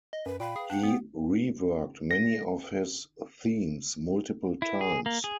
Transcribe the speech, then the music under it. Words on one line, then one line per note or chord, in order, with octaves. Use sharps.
He reworked many of his themes multiple times.
D#5
F#2 B4
A#2 F5 G5 B5
G#4 B4 F5
D4 F#5 G5 C7 C#7
B3
A#6
E4
G#4
A#3
G#4